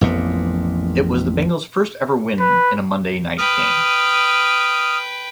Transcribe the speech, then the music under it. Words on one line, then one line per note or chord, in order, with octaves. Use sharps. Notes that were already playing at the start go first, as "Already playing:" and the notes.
It was the Bengals' first ever win in a Monday night game.
A1 F2 A#2 B3
B4
B4 G5 D#6 F6